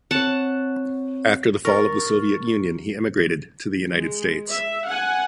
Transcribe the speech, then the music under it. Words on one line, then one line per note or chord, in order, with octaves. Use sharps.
After the fall of the Soviet Union, he emigrated to the United States.
C4 C#5 F#5 A5
A#4 C#6 A6
G#3
E5
F#5 G#5